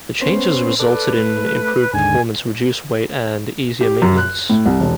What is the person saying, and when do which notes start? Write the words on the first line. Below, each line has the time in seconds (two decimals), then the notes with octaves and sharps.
The changes resulted in improved performance, reduced weight, and easier maintenance.
0.21 B3 C#4 C5
0.80 A4 B4 D5
1.17 A3
1.93 D#2 G#2 D3 G#5
3.81 G4
4.02 F#2
4.18 F#6
4.50 A2
4.66 C2
4.80 E1